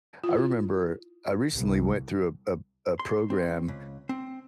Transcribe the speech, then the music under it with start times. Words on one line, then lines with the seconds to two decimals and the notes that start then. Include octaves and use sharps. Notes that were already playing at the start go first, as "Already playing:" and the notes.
I remember, I recently went through a p a p a program
0.24 E4 F4
1.56 C2
2.99 C6
3.30 C4
3.68 C#2
4.09 C4